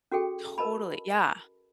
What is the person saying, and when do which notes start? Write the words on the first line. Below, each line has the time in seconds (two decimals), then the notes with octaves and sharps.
Totally yeah.
0.12 C#4 F#4 G#4 A4 G5
0.58 A#4 B4 D#5 A5 B5